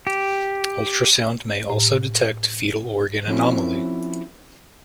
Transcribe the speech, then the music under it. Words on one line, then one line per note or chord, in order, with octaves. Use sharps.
Ultrasound may also detect fetal organ anomaly.
G4
A2
F3 A3 C4 C#4 E4 F#4